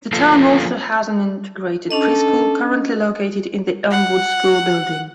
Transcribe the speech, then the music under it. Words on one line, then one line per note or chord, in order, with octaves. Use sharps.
The town also has an integrated preschool currently located in the Elmwood School building.
F3 A#3 B3 F4 A4
C#4 D4 A4 D#5
F#5